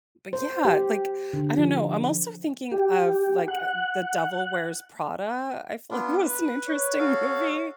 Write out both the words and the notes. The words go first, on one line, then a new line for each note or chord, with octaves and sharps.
but yeah, like, I don't know I'm also thinking of, like, eh The Devil Wears Prada, I feel like was an interesting movie.
C5
G4
D3
F3
G4
F#5
B3 D4 F4
B4
C#5
F#4 A4 F5